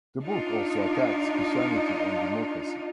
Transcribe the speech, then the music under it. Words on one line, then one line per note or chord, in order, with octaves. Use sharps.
The book also attacks Christianity and Democracy.
D4 D#4 F4